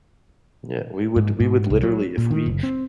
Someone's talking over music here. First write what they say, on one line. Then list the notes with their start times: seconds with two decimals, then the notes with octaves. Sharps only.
Yeah, we would we would literally if we
1.16 G#2
1.40 G#2
1.70 C2
1.83 F#3
2.18 A#2
2.31 D#3
2.46 F#1
2.63 C4